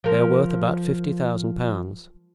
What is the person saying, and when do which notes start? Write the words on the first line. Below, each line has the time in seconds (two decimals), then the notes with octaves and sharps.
They are worth about fifty thousand pounds.
0.04 F3 A#4